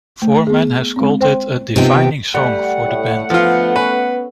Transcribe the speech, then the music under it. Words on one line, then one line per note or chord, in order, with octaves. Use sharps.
Foreman has called it "a defining song" for the band.
A3
B3 G#4
G#3 C4
C5 G5 C6
C3 B3 D#4 F4 D#5 G5
G3 A3 F#5
A2
D3 F3 B3 F4
C#4 B4